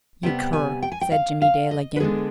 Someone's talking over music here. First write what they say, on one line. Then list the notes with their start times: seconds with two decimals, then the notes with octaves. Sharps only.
"You cur!" said Jimmie Dale again.
0.23 C3 G3 B3 G5
0.53 G#5
0.82 G5
0.92 G#5
1.01 G5
1.12 F5
1.42 F5
1.71 D#5
1.96 B4
2.00 D3 G#3 B3 D4 G#4